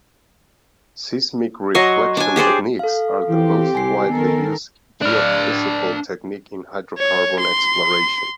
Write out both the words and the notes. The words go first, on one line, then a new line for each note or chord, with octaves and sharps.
Seismic reflection techniques are the most widely used geophysical technique in hydrocarbon exploration.
F#3 D#5 C6 C#6
D4 G#5
G4 G#4 C5 D5
A4 F5
E3 C4 G4
C2 G#5 C7
D#3 B3 A4 A#4
D4 F5
C#5
C6